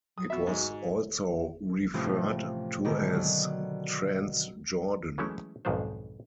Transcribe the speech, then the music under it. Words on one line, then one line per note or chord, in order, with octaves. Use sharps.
It was also referred to as Transjordan.
F#3 D#6
B2 F#4 E5
G#2
A2 C3 E3 F3 C#4 F4
G#2 B2 D3 D#3
F#3
E3 F#3 G#3 A3 C#4 E4
B1 F2 G#2 D#3 D4 C5